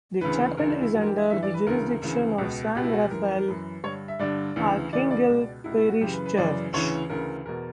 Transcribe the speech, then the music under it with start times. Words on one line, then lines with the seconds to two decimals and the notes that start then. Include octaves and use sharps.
The chapel is under the jurisdiction of San Rafael Archangel Parish Church.
0.21 D2 C#3 E3 B4
0.57 D2 C#3 E3 A#4
0.70 D4
0.81 E4
0.93 G2 E3 F#4
1.02 A#4
1.06 G4
1.17 E5
1.30 G2 E3 E5
1.42 D5
1.54 B4
1.67 D2 C#3 E3 A#4
2.02 D2 C#3 E3
2.38 C#2 B2
2.75 C#2 B2 G4
2.83 E4
2.93 F#4
3.02 G4
3.11 F#2 E3 A#4
3.38 A#4
3.47 F#2 E3 B4
3.83 G2 D3 C#5
4.08 E5
4.19 G2 D3 D5
4.56 D2 C#3 E3
4.93 D2 C#3 E3 D5
5.11 D5
5.29 C#2 B2
5.64 C#2 B2 E4
5.77 E4
5.89 F#4
6.01 F#2 C#3 E3 G4
6.13 B4
6.26 B4
6.37 F#2 C#3 E3 D5
6.73 D2 C#3 E3 C#5
7.10 D2 C#3 E3 A#4
7.46 E2 B2 A#4